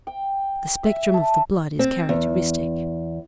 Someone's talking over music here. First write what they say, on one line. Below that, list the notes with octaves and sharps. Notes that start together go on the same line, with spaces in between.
The spectrum of the blood is characteristic.
G5
E5
A5
C4
E2